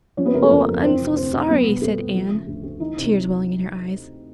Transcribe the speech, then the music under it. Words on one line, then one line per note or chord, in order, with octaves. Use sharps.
"Oh, I'm so sorry," said Anne, tears welling into her eyes.
F3 C#4 C#5
B3 B4
C#3 A#3 A#4
A3 A4
F2 A#3 A#4
F2
E3 C4 C5
C3
D2 C4 C5
D2
F#3 B3 B4
B2
C2 A3 A4
C2
F3
C#3
D2
D2
E3 D#4
C3